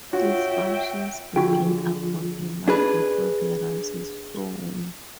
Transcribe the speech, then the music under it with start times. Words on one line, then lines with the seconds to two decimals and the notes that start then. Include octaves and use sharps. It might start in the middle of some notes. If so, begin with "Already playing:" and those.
His functions begin about a month before the rice is sown.
0.13 F4 F#4 C#5 E5 G5
1.36 D3 F3 F4 F#4 G#4 G5
2.68 D4 G#4 B4